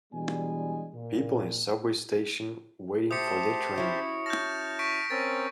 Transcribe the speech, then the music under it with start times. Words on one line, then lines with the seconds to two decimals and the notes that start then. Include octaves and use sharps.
People in a subway station waiting for their train.
0.13 B2 E3 G3 G#3 D4 G#5
0.94 A#2
3.11 A3 G4 C5 A5 D#6 C#7
3.76 C#4 E4 F#4
4.26 A5 F6 G6 A#6
4.79 C#6 B6 D7
5.10 C4 C#4 A#4 A6